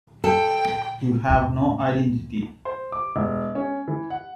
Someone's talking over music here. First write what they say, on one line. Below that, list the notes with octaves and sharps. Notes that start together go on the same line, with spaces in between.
You have no identity.
A4 G5
E2 A2
C5
D6
E1
C#4
E3
F#5